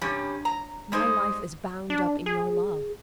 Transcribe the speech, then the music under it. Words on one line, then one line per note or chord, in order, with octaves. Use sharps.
My life is bound up in your love.
G2 C3 G3 C#4
A#5
G3 G#3 D#4 C5
D4
G#4